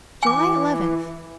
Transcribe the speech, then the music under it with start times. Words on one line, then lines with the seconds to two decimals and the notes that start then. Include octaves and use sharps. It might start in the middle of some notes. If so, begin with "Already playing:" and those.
July Eleventh.
0.23 E3 G#5 D6